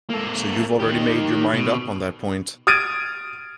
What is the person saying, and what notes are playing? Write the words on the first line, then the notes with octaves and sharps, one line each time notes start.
So you have already made your mind up on that point!
A#3 A4
D#3 G4
B2
D#6 F6 G#6 A6 D7 D#7